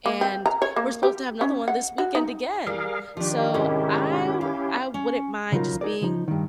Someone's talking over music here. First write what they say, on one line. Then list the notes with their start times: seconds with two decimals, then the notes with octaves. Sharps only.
and we're supposed to have another one this weekend again, so I w I wouldn't mind just being
0.06 A#3
0.21 C4
0.46 A#5
0.62 C#5
0.76 A#3
1.03 G4
1.41 C#4
1.68 F#5
1.98 F#4
2.15 D#4
2.67 G3 G#4 A#4 F5
3.17 D#3 F3 D4 G4
3.54 G#2 C3 G3 C#4 E4 G4
4.41 F5
4.94 C#4
5.52 C#3 F#3 D#4 F4 A#4
5.81 D#4 G#4 A#4 D5
6.01 C#3 F3 D#4
6.28 G2 D#3